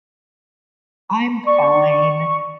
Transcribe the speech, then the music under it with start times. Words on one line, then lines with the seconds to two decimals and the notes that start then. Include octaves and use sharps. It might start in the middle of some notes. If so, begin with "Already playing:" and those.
I'm fine
1.47 D5 C#6